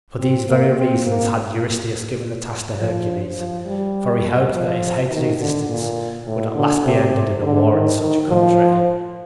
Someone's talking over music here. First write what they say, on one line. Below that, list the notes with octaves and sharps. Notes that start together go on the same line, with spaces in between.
For these very reasons had Eurystheus given the task to Hercules, for he hoped that his hated existence would at last be ended in a war in such a country.
C4
A#3
C4
A#3
F3
F3
G3
F3
D#3
D3
A#2
A2
D3
C3
D3
D#3
D#3
F3